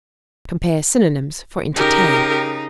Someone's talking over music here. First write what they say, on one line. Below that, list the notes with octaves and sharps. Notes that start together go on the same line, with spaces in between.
Compare synonyms for ENTERTAIN.
C#3 D#4 G4 A#4